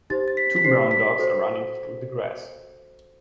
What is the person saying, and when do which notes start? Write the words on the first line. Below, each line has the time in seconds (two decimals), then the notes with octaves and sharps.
Two brown dogs are running through the grass.
0.10 D#4 G4 C5 A6
0.28 A6
0.37 B6
0.56 B6
0.64 D#4 G4 C5 C7
0.91 B6
1.19 F#4 A4 C5